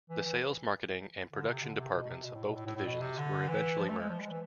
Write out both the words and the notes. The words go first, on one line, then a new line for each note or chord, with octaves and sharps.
The sales, marketing, and production departments of both divisions were eventually merged.
E3
E3
D3
C3
D3
C3
B2
C3
B2
A2
B2
A2
A2
A2
B2
C3
D3
E3
F3
A3
G#3
F3
G#3
E3